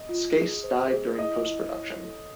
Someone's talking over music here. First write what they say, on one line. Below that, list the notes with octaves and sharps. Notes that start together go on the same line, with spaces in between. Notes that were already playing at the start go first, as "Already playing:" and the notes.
Skase died during post production.
Already playing: D#5
F4
G#4
C5
G#4
E4 D#5
E4
C#5
A4